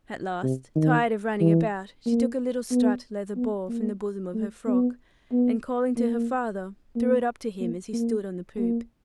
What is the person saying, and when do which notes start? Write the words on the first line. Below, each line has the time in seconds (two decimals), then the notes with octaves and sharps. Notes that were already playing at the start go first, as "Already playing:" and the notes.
At last, tired of running about, she took a little striped leather ball from the bosom of her frock, and calling to her father, threw it up to him as he stood on the poop.
0.43 C3
0.75 D#3
1.41 E3
2.06 A#3
2.71 B3
3.36 B3
3.69 A#3
4.34 A3
4.67 B3
5.32 B3
5.97 A#3
6.96 A#3
7.60 A#3
7.93 A#3
8.58 A#3